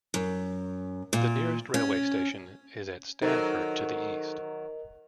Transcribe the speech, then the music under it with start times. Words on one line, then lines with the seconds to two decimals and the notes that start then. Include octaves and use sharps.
The nearest railway station is at Stamford to the east.
0.14 F#2
1.13 A#2
1.74 C#4
3.22 D#3 F#3 D#4 A4 A#4 C5 D#5